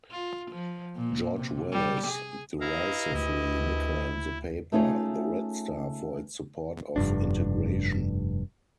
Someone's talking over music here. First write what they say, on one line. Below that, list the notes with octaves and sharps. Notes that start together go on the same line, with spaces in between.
George Wallace derisively nicknamed the paper "The Red Star" for its support of integration.
F4
F3
A#2
C3
G3
G#4
E4 G4 B4 D#5 F5 A#5
D2 E4
A3 C#4 D#4 F4 G#4
F1 G2 D4